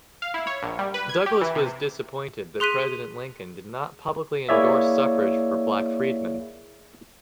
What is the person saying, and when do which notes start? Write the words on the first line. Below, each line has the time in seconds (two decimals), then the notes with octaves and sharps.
Douglass was disappointed that President Lincoln did not publicly endorse suffrage for black freedmen.
0.22 F5
0.34 E4
0.47 C#5
0.62 A#1
0.79 G3
0.94 B4
1.09 G#6
1.26 G4
1.41 E3
1.55 C3
2.60 G#4 C6 F#6 B6 D#7
4.49 A#3 E4 G#4 C#5 D5 E5